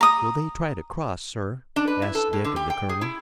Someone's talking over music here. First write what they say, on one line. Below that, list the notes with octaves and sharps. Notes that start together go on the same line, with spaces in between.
"Will they try to cross, sir?" asked Dick of the colonel.
A#5 D#6
D4
B4
E4
A4
A2
D3
G4
G5
G#4
E4